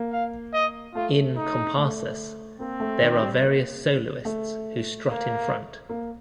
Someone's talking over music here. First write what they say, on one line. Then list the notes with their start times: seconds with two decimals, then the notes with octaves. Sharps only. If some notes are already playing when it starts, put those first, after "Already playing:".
In Comparsas, there are various soloists who strut in front.
Already playing: A#3
0.12 F5
0.53 D#5
0.94 A3 F4
1.36 D#4
1.78 A3
2.60 A#3 C4
2.80 A3
3.01 D#3
3.22 G3
3.42 A#3
4.25 A3
5.08 A#3
5.89 A#3